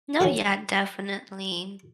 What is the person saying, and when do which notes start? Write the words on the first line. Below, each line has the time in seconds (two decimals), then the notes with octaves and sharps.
No, yeah, definitely.
0.20 D3 D#3 F#3 C#4